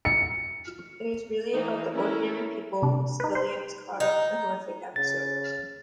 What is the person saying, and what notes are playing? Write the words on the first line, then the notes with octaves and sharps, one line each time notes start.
It is really about the ordinary people, civilians, caught up in that horrific episode.
C#7
E3 A3 A#3 D#4
C#4 E4 A4 A#4
C3 D4
D#4 B4
C5
D#4
C#3 A6